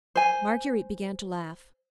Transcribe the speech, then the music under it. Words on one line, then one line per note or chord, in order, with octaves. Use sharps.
Marguerite began to laugh.
C5 G#5